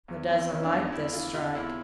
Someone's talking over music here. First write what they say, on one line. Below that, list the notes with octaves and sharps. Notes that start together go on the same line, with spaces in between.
Hoo doesn't like this strike.
E2
E3 C4
C3 C#4
D4
E2 D#4
E2 E4
E3 F4
C3 F4
E2 E4